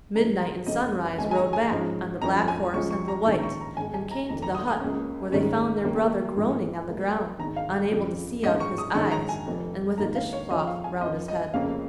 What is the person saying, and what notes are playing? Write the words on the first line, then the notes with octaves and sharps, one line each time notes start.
Midnight and Sunrise rode back, on the black horse and the white, and came to the hut, where they found their brother groaning on the ground, unable to see out of his eyes, and with a dishcloth round his head.
G#2 F3 G#3 C#4 A#5
A#5
F1 F2 C#3 A#3 C#4 D#5
G#1 G#2 G#3 G#5
G#5
A#5
G#5
G#2 F3 G#3 C#4
F2 F3 C#4 A#5
G#5
C#2 C#3 F3 C#4 C#6
C#6
A#5
A#1 G#2 D#3 C#4 C#6
A#5
C#6
A#5
G#1 G#2 G#3 G#5
G#5
A#5
F1 F2 D#3 A#5
A#5
D#6
D#6
C#2 C#3 A#3 C#4
G#1 G#2 D#3 G#3 C#4
D#2 C#3 A#3 C#4
G#1 G#2 F3
C#2 C#3 A#3
G#1 G#2 D#3 A#5
F5
F2 C#3 F3
G#2 G#3 C#4 D#5
C#6
D#6
G#2 D#3 G#3 C#4 C#6
A#5
G#5
F1 F2 F3
G#1 G#2 D#3 A#3 A#5
F5
C#5
F2 C#3 F3 C#4 D#5
F5
G#5
F2 F3 C#4 D#5
D#5
F1 F2 C#3 A#3 C#4 F5